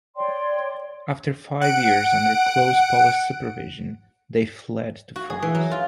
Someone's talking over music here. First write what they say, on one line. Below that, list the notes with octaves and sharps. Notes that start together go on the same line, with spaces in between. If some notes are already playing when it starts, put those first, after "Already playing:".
After five years under close police supervision, they fled to France.
C#5 D5 G5 C6
F#5 D7
F#4
G#4
E3
F#3
F4